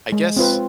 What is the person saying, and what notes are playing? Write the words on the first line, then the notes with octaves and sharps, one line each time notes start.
I guess
G#3
C4 F4 B4